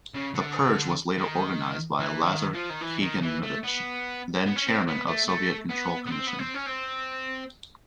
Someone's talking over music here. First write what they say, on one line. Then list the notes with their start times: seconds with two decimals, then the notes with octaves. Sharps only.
The purge was organised by Lazar Kaganovich, then Chairman of the Soviet Control Commission.
0.14 C#3
0.34 D3
1.17 D#3
1.99 E3
2.22 D3
2.26 D#3
2.54 F3
2.70 D#3
2.81 E3
3.02 D#3
3.22 E3
3.43 A3
3.63 B3
4.46 B3
4.56 C#4
4.67 C4
4.87 B3
5.07 A3
5.28 A3
5.69 B3
6.06 B3
6.11 C4
6.27 B3
6.39 C4
6.54 C#4
6.66 C4